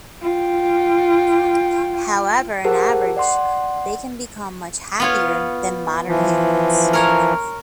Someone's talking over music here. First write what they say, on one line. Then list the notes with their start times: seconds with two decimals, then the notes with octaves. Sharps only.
However, in average, they can become much happier than modern humans.
0.22 F4 G5
2.65 G4 G#4 A#4 C5 F#5 A5
3.17 D5 F#5 C6
5.00 B3 F4 C#5
6.08 E3 F3
6.93 A#4 C#5 A#5